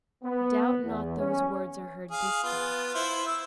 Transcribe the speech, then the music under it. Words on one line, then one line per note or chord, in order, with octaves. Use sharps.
Doubt not those words are heard this day.
B3
E2
C#4
G#4 F5
B3 F4
E4 C5
E6